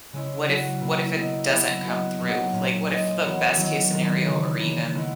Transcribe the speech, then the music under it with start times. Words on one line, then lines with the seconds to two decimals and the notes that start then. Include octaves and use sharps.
what if what if it doesn't come through? Like, what if the best case scenario, or even
0.13 C#3 G#3 C#4 E4
0.47 F#3 C#4 F#4
0.81 B2 A#3 E4
1.15 B3 E4 A#4 D#5
1.50 F#3 B3 E4 B4
1.83 B3 F#4 B4 D#5
2.19 B2 F#3 A#3 D#4 F#4
2.52 A#2 A#3 C#4
2.88 G#3 C#4 G#4 D#5
3.22 E3 B3 F#4 A#4 C#5
3.56 D#3 F#3 C#4
3.91 G#3 D#4 A#4
4.25 C#3 E3 G#3 D#4
4.60 C#3 E3 A#3
4.94 D#3 G#3 B3 E4 B4